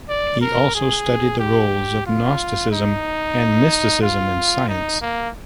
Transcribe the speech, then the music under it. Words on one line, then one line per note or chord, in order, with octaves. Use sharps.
He also studied the roles of gnosticism and mysticism in science.
D5
A#4
G#4
G4
F4
D#4
F4
D#4
A#3